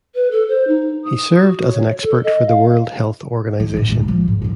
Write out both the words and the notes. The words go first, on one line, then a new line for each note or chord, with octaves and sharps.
He served as an expert for the World Health Organization.
B4
A4
C5
D#4
D#6
F#4
C#5
A4
D#5
F5
D#3
F#1 A2
E2 A#2
F3
G#2
F#1 F#2